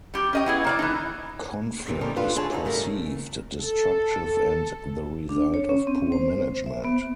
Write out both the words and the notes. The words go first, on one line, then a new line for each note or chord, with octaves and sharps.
Conflict is perceived destructive and the result of poor management.
G3 G4
C#4 D#5 G5
B3 E4 G#4
A#3 C#5 D5
E3 D#4
E2 G2 A#2 E3
D#3 F3 G3 A#3 C#4 A4
D4 F4 A4 B4
D3 G#4 C#5 A5
D3 D#4 E4
G2 A3 A#4
A4
D4
C#5
C#4
C4
C5
E5
B3